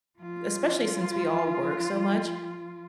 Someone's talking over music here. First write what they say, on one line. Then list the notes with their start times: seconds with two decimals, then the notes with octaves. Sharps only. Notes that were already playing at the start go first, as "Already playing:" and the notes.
especially since we all work so much,
0.19 F3 F4